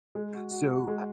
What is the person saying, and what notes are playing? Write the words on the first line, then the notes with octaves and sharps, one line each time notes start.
so I
G#3
F#4
F#4
F#4
G#3